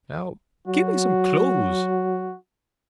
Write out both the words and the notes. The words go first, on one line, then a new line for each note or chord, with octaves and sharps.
Now, get me some clothes.
F#3 F#4